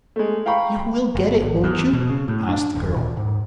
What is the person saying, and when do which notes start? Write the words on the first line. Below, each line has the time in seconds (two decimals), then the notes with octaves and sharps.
"You will get it, won't you?" asked the girl.
0.16 G#3 A3
0.46 F5 G5 A#5 B5 C#6
1.15 G1
1.41 G#1
1.64 E2
1.93 B2
2.10 C#3
2.28 A2
2.49 D4
2.75 D#1
2.96 A#2
3.17 G#2